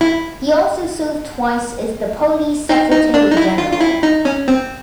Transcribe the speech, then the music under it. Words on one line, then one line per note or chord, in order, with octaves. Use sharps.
He also served twice as the party's secretary-general.
E4
D#4
D#4
D4
D#4
E4
F4
F4
E4
D#4
C#4
C4